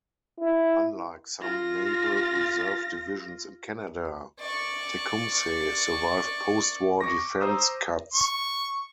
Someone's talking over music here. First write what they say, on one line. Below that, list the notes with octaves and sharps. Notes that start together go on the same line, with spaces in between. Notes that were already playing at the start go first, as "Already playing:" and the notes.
Unlike some Naval Reserve divisions in Canada, "Tecumseh" survived post-war defence cuts.
E4
F4 A#6
D5 C#6
C#6 D6 A#6
C5 A#5 D#6 E6
C#6